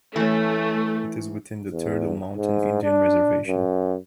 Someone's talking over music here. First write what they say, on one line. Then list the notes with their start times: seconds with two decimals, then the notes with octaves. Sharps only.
It is within the Turtle Mountain Indian Reservation.
0.16 E3 A3 C#4
1.72 E2
2.37 G#2
2.83 D4
3.47 F#2